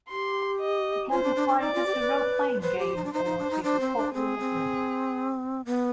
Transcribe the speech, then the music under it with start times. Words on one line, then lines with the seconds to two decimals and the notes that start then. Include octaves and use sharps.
It can be played as a role-playing game or a tabletop war game.
0.09 G4 C6
0.59 D#5
1.11 F4 C5
1.23 D4
1.36 D4
1.48 D4
1.61 D#4 D5
1.74 F4
1.86 G4
1.94 C5
1.99 B4
2.62 B4 C5
2.79 G4
2.96 D#4
3.04 D4
3.12 D#4 C5
3.25 D#4
3.39 D4
3.51 D#4
3.63 D4 C5
3.80 C4
3.97 D4
4.14 C4 G#4
4.39 C4
5.65 B3